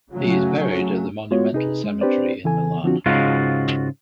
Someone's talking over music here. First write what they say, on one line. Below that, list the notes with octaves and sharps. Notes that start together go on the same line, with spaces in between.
He is buried at the Monumental Cemetery in Milan.
C#3 F#3 A3 C#4
G#3 B3 F4 F#4 C#5
C3 D#4 G#4 B4
G#3
C4 D4 G4 B4 C5 D5
C#3 E3 A4 G#5
D3 F3 C4 D4 F4 F#4
G#2 C#3 G#3 F4 F#4